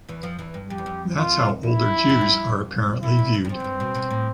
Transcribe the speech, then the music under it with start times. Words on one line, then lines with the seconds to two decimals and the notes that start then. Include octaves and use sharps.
That’s how older Jews are apparently viewed.
0.08 E2 E3
0.23 F2 F3
0.39 E2 E3
0.54 G2
0.70 F2 G4
0.78 E2
0.86 F2
1.16 F4
1.63 E2 E4
2.09 F2
2.21 G2
2.33 F2
3.02 F2 E4
3.19 E2
3.34 E2
3.45 G2
3.49 F2 C4
3.60 F2
3.64 G2
3.80 B2
3.95 B2
4.10 A2